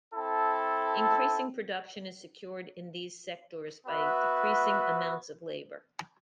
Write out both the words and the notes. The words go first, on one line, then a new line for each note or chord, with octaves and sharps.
Increasing production is secured in these sectors by decreasing amounts of labour.
C4 E4 A4
B3 F#4 B4 E5